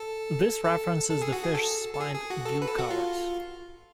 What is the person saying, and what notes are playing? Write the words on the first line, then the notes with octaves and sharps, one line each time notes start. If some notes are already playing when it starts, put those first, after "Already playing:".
This references the fish's spined gill covers.
Already playing: A4
A4
A4
G#4
F#4
G#4
A4
A4
G#4
G#4
F#4
A4
B4
A4
F#4
F4